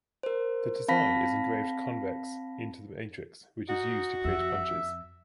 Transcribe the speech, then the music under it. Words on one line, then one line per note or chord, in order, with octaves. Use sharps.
The design is engraved convex into the matrix, which is used to create punches.
A#4 C5
C4 F5 A5 B5 A#6 B6
D#4 F#4
F2 E5